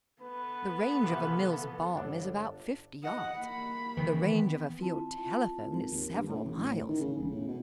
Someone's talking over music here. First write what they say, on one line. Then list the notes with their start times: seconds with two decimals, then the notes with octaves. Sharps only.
The range of a Mills bomb is about fifty yards; the range of a field telephone is several miles.
0.22 B3 A4 B4
1.04 C3 E3 F3
1.94 G1 D4
3.03 D#5 F#5
3.37 A#3 B5
3.97 D#3 E3
4.26 B3
4.79 C4 E4 F4 A5
5.72 G#1
5.91 D#2
6.14 G2
6.29 A2
6.44 A1
6.64 A2
6.89 D#3
7.00 C#3
7.18 E1
7.31 A2
7.48 B2